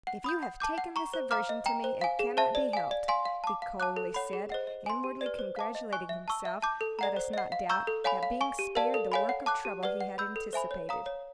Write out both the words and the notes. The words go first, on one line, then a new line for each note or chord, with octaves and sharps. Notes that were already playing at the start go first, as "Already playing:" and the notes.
"If you have taken this aversion to me, it cannot be helped," he coldly said, inwardly congratulating himself, let us not doubt, at being spared the work of trouble he had anticipated.
F#5
B5 D#6 G6
F#5
A5 D6 G6
F#5
A#5 C#6
C5
F5 A#5 D6 F6
D#5
G5 A#5
C5
F5 G#5
G#4
C5 E5 A5
D5
F5 G#5
D5
F5 G#5 C6
F5
A5 D6
F5
A5 D6 F#6
A4
C#5 F#5 B5
G#4
C5 D#5 F#5
D#5
G#5 C6
G4
D5
B4
C5
F5 A5 D6
D#5
G#5 C#6 F#6
E5
A5 C#6 E6
E5
A5 D6 G6
A4
D5 F#5 A#5
C5
D#5 F#5
F5
A#5 C#6 E6 G6
A4
C#5 F5 G#5 B5
F5
G#5 C#6
G4
A#4 D5 F5 A5
A4
C#5 F5 G#5 B5
F#5
A5 D6 F#6
G4
B4 D5 F#5
F#5
B5 E6 G6
A4
C5 E5 G#5 B5
C#5
F5 A#5 D#6
C#5